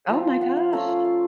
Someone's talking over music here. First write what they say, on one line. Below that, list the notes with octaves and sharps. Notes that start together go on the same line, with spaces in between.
Oh my gosh.
F3 C4 F4 A#5
F#5
F5
A3 C#4 F4 A#5
C6
F5